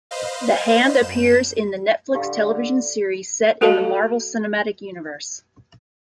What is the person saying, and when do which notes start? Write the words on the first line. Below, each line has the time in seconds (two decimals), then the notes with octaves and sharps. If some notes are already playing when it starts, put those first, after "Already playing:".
The Hand appears in the Netflix television series set in the Marvel Cinematic Universe.
0.11 B4 C5 D#5 F5
1.02 F#2 G6 E7
2.15 D3 G4 F5
3.61 A3 F#4 A4 D#5 F5 A5